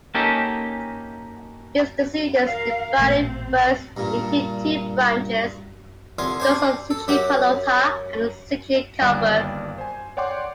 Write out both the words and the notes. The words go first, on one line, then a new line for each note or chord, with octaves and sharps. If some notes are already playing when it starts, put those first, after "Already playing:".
His descendants divided, first into two branches: those of Zichy-Palota and Zichy-Karlburg.
A#3 C#4 D#4 G4 A4
A#4 F5
A1 A#2 A3 C4
G2 A#2
C2 D3 F4 G#5
D4 C5 G#5
A4
F#2 G4 F#5
G1 D#2 G3 D5 F5 F#6
C5 G#5
C#5 D5 F#5 G5 C6 D6